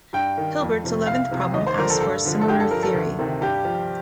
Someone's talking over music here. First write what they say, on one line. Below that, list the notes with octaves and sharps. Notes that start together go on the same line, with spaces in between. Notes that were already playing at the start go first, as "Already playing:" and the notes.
Hilbert's eleventh problem asks for a similar theory.
G2 G5
D#3
F2
C3 F3
C2 F5
C3 F3
D#2 D#5
C5
D3 F3 A#4
A4
G2 A4
D3 F3
A4
G2 G4
A4
F3 A#4
A4
D2
C3 D#3
G2 G4
F3